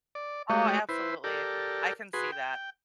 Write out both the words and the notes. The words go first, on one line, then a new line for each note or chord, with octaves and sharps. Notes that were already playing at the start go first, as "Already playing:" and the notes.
Oh, absolutely. I can see that.
D5
G#3 A3 F#4 G4 C#5 D#5
E4 B4 C5
G4 A4 A#4 D5
F#4 G#4 B4 C6
G5